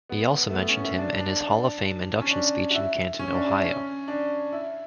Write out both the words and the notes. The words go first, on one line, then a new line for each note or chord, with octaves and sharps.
He also mentioned him in his hall of fame induction speech in Canton, Ohio.
B3
A3
B3
C#4
E4
D4
D4
C#4
D4
F#4
E4
C#4
D4
E4
C#4
D4
E4